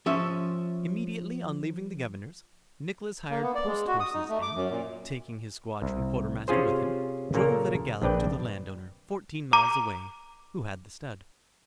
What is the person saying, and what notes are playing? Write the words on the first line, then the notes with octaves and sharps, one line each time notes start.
Immediately on leaving the governor's, Nicholas hired post horses and, taking his squadron quartermaster with him, drove at a gallop to the landowner, fourteen miles away, who had the stud.
F3 C#4 E5
A#3
B3
D5
G#3
F#4
D#6
D#4
A3
D6
F#2
A#2
C2
C3 C#4 F4 G#4 C5
A#2 C#3 A#3 A4 A#4
A#1 C4 D4 B4 D5 G5
A#5 D6